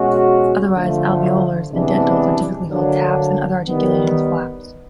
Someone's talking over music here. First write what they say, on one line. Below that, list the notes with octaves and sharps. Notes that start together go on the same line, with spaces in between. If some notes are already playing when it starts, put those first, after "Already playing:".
Otherwise, alveolars and dentals are typically called "taps" and other articulations "flaps".
Already playing: B2 G#3 C#4 F#4
D3 F3 A3
C3 E3 G#3 B3 D4
D3 F#3 A#3 D4
D#3 G3 B3